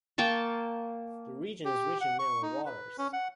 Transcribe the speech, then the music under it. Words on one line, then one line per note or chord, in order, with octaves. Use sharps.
The region is rich in mineral waters.
A#3 G5 A5 C#6
G4
F#5
C#6
D#4
B4
C#4
F#5